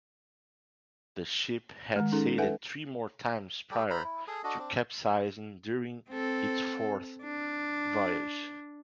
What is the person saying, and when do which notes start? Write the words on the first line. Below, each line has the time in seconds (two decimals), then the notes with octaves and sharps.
The ship had sailed three more times prior to capsizing during its fourth voyage.
1.96 D#3 G#3
2.12 C#4 D#4 G#4 A4
2.38 A4 B4 E5 F#5 G#5
3.71 G3 A4 D5 G5
3.90 C5 A#5 B5
4.04 E4
4.28 G#4 A4 D#6
4.44 D4 F#4 A4 D#5
4.59 C4 D4
6.10 C4 A4
7.23 D4